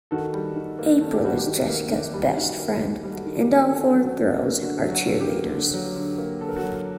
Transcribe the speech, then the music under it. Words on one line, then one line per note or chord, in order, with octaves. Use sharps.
April is Jessica's best friend, and all four girls are cheerleaders.
D#3 F#4 A4
G3
D#3
A#3
D#3 A4
G4
G3 F#4
G4
D#3
A#3
D#3
G3
D#3 F#4
A#3
D#3 G4
G3
F#4 A4
D#3
G4
A#3
D3 F#4 A4
F#3
F#4
D3
F#4
A#3
D3 F#4
F#3
F#4
D3
G4
A#3
D3
F#3
D3
A#3
D3 A4
A#4
F#4 A4
F#3